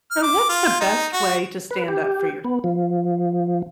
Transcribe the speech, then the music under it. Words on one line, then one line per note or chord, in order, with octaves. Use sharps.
So what's the best way to stand up for yours
F6
D6
F4
D#4
F#4
B4
G4
B3
F3